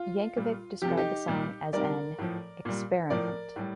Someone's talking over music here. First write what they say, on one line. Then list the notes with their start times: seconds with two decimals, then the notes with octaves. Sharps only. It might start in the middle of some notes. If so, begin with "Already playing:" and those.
Yankovic described the song as an "experiment".
Already playing: F4
0.37 A#2 G3
0.82 C3 F3 G4
0.90 A4
0.97 D#4 G4
1.28 A#2 G3
1.73 C3 D#3 G3 A#4 D5
2.18 A2 F3
2.65 A#2 G3
3.10 A2 F3 A#4 D5
3.56 A2 G3